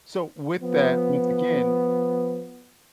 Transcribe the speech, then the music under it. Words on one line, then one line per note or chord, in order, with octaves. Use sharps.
so with that, once again,
F3 B3